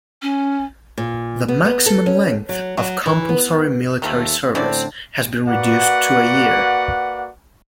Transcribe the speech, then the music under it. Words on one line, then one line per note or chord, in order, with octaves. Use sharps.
The maximum length of compulsory military service has been reduced to a year.
C#4
A#2
B3
B3
A4
C#4
F#3
F#3
E3
B3
D#2 D#3 F3 A3
A2 D3 C4 C#4 E4 D5
A#3 F#4 B4 D5 F#5